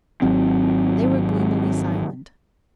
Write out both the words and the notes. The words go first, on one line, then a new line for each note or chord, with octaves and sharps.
They were gloomily silent.
G#1 F#3 C4